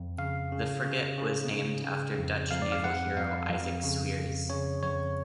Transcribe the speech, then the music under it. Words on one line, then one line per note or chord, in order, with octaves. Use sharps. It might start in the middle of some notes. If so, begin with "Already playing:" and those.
The frigate was named after Dutch naval hero Isaac Sweers.
Already playing: F2
C#3 F5
C#3
C#3
C#3
C#3
C#3
F2
F2 F5
D5
F5
F2 F#5
F2 F5
F2
C#3
F2
C#3 C#5
F2 C#5